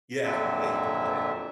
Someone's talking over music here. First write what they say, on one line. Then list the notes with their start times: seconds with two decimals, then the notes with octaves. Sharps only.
Yeah, yeah, you can play it.
0.24 F2 A#2 D3 F#3 E5